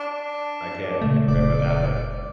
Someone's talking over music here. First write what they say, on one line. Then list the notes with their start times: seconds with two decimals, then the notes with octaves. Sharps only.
I can't picture it without him.
0.01 D4
1.02 A#2 C#3 G#3 A3
1.28 F1 D5